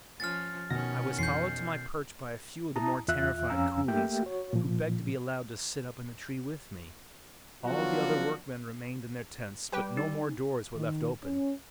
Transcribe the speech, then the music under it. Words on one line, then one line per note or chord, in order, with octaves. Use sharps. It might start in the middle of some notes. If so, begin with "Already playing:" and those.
I was followed to my perch by a few of the more terrified coolies, who begged to be allowed to sit up in the tree with me; all the other workmen remained in their tents, but no more doors were left open.
F3 C#4 F6 A6
B2 D#3 C#4 A#6
F2 E3 G6 C7
E4 A5 A#5 D#6
E2 F4 E5 F#6
F2 C#4 F5 G#5 A#5 E6
A3 A#3 G4 E5 G5
F#4 C#5
A#2 F3
F3 F#3 B3 D4 F4 F#4
G3 G4 B4 G5
D#4
D#3
C#4